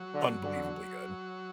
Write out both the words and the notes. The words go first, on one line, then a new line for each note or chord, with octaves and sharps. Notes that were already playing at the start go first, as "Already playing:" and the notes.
unbelievably good.
Already playing: F#3
D3
D3